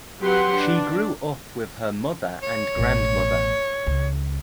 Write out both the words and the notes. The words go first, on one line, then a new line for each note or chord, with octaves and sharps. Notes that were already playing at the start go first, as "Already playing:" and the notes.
She grew up with her mother and grandmother.
F#3 C4 G4 B4 F#5 C6
D4
C#5
A1 B2
C#2